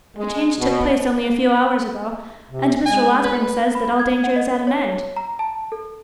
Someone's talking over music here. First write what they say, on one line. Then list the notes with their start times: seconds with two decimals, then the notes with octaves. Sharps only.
'The change took place only a few hours ago; and Mr. Losberne says, that all danger is at an end.'
0.17 G#3
0.59 B2
2.50 C3
2.86 G#3 G#5
3.24 B4
3.75 B5
4.00 G#6
4.24 F#5
4.36 D#5
4.67 C#5
5.16 A#5
5.39 A5
5.72 A4